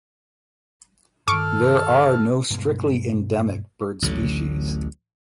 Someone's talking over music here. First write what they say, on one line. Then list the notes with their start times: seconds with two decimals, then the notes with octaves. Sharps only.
There are no strictly endemic bird species.
1.28 G2 D#3 A4 C#6 D6 F6 D7
2.50 G2 B2 G#3
4.02 A1 D2 D3 F#3